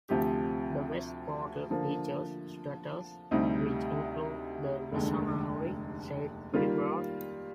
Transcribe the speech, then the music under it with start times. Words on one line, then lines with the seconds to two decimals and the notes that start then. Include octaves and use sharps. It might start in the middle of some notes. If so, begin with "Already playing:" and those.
The west portal features statues which include the missionary Saint Willibrord.
0.09 D2 C3 F3 C4 G4
1.70 D3 F3 A#3
3.31 D2 C3 G3 C4 D#4
4.92 F1 D#2 D3 G#3
6.54 D#3 G3 A#3 F4